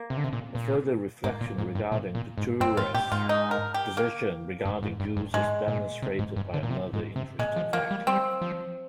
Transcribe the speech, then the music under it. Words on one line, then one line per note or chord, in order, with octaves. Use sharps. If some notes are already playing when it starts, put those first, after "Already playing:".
A further reflection regarding Petliura's position regarding Jews is demonstrated by another interesting fact.
Already playing: A#3
C3
D3
C3
A#2
A#2
G#2 A#3
A#2
G#2
G2
A#2
A#2
G#2
G2 C4
G#2 F4
A#2 G4
G#2 F4
D#4
A#4
G4
A#3
G2
G#2
G2
G2
G#2 G#3
A#2
C3
G#2
G2
D3
A#2
C3
G#2
C3
A#2 G#3
F3
F3 A#3
G3
G3 C4
F3